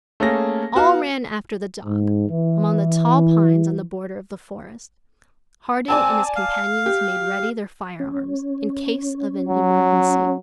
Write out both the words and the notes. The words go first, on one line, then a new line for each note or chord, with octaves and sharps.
All ran after the dog, among the tall pines on the border of the forest. Harding and his companions made ready their firearms, in case of an emergency.
A3 A#3 C#4 G#4 A#6
B3 F#4 F5
G#2
E3
C4 D5 G#5 A5
F5
G4
C#4
F#3